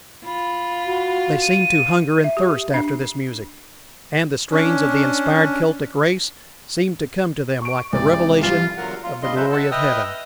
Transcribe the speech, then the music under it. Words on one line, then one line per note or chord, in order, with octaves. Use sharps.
They seemed to hunger and thirst after this music, and the strains of the inspired Celtic race seemed to come to them like the revelation of the glory of heaven.
F4 B5
F#4
D#7
E5
G4
D4
C#4 D4
C#6 D7
C2 G#2 D5
F3 G3 F4
E2 D3 F#3 A#4 F#5
F4
G2 G3 F4 D#5 C6
F#3 G#3 A4 B4 C5 E5
F#5 A5 E6
B4 D#5 E5 G5 D#6 F6